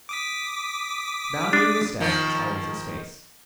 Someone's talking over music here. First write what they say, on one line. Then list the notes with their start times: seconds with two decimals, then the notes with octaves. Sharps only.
The boundary of the staff is always a space.
0.09 D6 D#6 B6
1.53 D4
2.00 D#3 F3 A#3